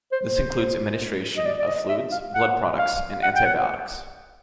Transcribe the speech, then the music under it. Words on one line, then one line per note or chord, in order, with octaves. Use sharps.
This includes administration of fluids, blood products, and antibiotics.
C5
C5
D#5
D5
D5
D#5
E5
F5
F#5
F5
F#5
G5
F#5